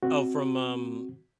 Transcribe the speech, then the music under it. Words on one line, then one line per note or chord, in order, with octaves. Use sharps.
Oh, from, um
C4 F#4